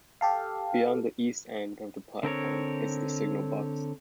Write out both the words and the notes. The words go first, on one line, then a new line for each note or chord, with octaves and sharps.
Beyond the east end of the platform is the signal box.
G4 A4 F5
D3 C4 A#4 C#5